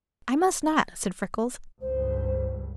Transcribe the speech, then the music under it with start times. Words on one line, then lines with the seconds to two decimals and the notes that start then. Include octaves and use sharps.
"I must not," said Freckles.
1.81 C#2 G2 C5